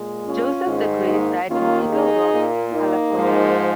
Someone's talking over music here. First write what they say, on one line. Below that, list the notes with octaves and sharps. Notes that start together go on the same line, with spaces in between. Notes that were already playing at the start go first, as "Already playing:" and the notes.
Joseph De Grasse died in Eagle Rock, California.
Already playing: A#2 G#3
C#4 F4
G#2 D#3 G#3
A#3 D#4
D#2 D#3 A#3 C#4 F4
D#4 G#4
A#2 A#3
A#3 D#4
G#2 F3 G#3